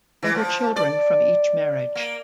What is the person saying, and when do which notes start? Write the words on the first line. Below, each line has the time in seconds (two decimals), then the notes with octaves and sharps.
There were children from each marriage.
0.23 E3
0.35 F3
0.76 D5
1.95 A#3